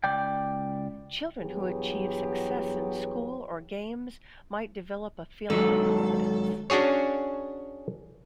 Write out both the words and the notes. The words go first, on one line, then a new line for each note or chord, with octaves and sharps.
Children who achieve success in school or games might develop a feeling of competence.
C#2 D5 G5
G2 E3 F#3 B3 G4 G#4
G#2 D#3 F#3 A4
C#4 D4 F#4 G#4 C#5